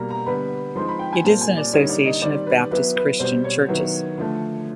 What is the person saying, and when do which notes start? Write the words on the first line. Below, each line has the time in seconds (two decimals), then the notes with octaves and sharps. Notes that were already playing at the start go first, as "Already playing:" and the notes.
It is an association of Baptist, Christian churches.
Already playing: B2 G3 A#3 A#5
0.10 A#5
0.26 D3 G3 B3 B5
0.75 F3 G#3 C4 D#4 C6
0.88 B5
0.99 G5
1.13 G#5
1.24 A#2 G3 C4 A5
1.41 G#5
1.57 D5
1.73 D3 G3 A#3 D#4 C#5
1.90 D5
2.06 D#5
2.22 D#3 G3 C4 D5
2.47 B4
2.71 F#3 B3 E4 B4
2.96 B4
3.19 B2 G3 C4 C5
3.44 C#5
3.69 D#3 F#3 B3 E4
4.18 D3 F3 A3